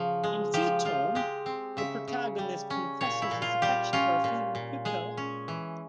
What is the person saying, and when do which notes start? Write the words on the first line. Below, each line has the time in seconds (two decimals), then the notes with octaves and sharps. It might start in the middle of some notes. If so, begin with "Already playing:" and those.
In "Futon", the protagonist confesses his affection for a female pupil.
Already playing: C#3 F3
0.24 G#3
0.54 F3 G4
0.85 F3 F4
1.15 G#3 G4
1.46 C4
1.77 C#3 E5
2.08 C#3
2.38 G3
2.70 C#4
3.01 A#2 C#5
3.22 E4
3.31 A#2
3.42 F4
3.62 G3 G4
3.93 C#4 F4
4.24 A#2
4.55 A#2
4.85 G#3 G#4
5.17 C#4
5.48 E3